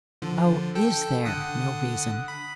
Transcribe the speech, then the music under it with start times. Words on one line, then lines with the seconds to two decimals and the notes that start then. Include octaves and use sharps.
"Oh, IS there no reason?"
0.22 D3 F3
0.75 A4 G5
1.25 D3 F#5 D#6
2.28 B5